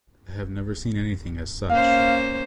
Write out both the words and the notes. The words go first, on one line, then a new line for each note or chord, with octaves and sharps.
I have never seen anything as such.
A#3 C#4 C5 F5